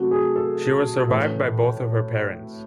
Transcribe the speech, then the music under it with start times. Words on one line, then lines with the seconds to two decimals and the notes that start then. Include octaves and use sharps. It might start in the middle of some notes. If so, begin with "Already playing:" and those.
She was survived by both of her parents.
Already playing: C3 F#3 A3 F#4
0.11 G#4
0.36 A4
1.08 A2 E3 A3